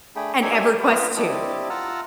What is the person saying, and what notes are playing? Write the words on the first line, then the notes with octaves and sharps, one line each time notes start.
And EverQuest II.
A3 D4 G#4 G5 B5
D4 D#4 G4 C#5 E5 G#5
F4 B4 D#5 F5 G5 B5
C4 D4 E4 G4 D#5 A5
F4 F#5 A5 A#5 E6 F6